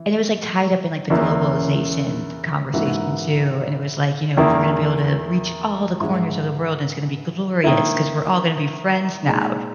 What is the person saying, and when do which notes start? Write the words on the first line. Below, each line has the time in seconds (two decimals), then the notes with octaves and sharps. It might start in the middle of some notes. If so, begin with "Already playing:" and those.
And it was, like, tied up in, like, the globalization conversation too, and it was like, you know, "We're gonna be able to reach all the corners of the world, and it's gonna be glorious 'cause we're all gonna be friends now."
Already playing: E3
1.10 E2 C#3 E3 A#3
2.73 G#2 E3 A#3 D#4 F#4
4.37 E2 D#3 A#3 E4
6.00 G#2 E3 G#3
7.64 D#3 A#3 E4
9.27 A#2 G#3 D#4